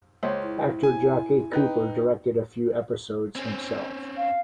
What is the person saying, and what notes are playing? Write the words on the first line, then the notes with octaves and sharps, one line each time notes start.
Actor Jackie Cooper directed a few episodes himself.
C#2 C5 C#5
E4
G#5
D#4 B4 G5
C4 C#4
F5